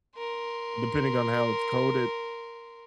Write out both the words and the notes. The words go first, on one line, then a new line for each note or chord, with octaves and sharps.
depending on how it's coded
A#4 C6